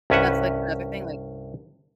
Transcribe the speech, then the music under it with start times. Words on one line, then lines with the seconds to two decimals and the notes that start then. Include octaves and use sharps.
And that's, like, another thing, like,
0.10 C2 G2 C#4 B4 E5 F#5